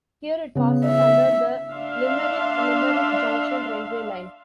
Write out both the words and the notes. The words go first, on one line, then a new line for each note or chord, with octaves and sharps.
Here it passes under the Limerick-Limerick Junction railway line.
C#3 B3
E5
D4 E5 F5 C6